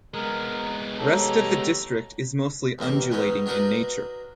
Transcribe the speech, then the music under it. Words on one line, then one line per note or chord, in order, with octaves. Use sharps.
Rest of the district is mostly undulating in nature.
G#3 B3 A#4
G4 A4 C#5 A#5
A1 D#2 A#3 A4
G#2 G#3 B3 C#4 D#4
F#3 D4 D#4 A#4 B4